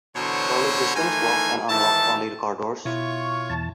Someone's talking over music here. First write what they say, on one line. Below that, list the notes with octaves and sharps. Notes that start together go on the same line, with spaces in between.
Early systems locked and unlocked only the car doors.
B2 D3 E3 F#3 C5 C#5
D#3 E3 A3 F4 G#5
G#2 D#3 E3 E5 A5
B2 E4 F4 C#5 C#6
E2 A5